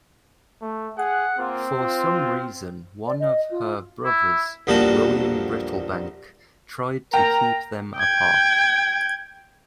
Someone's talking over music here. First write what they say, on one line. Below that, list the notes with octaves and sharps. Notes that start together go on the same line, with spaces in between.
For some reason one of her brothers, William Brittlebank, tried to keep them apart.
A3
G#4 F#5
A#3 C4 F4
F4
D5
D#5
F4
E4
A#1 E2 G3 A#3 F#4 A4
A#4 G5 A#5
G5 G#6